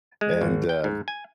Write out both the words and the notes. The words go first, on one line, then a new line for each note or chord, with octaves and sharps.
and, um
G#3
G#1
G5
G#2
G#5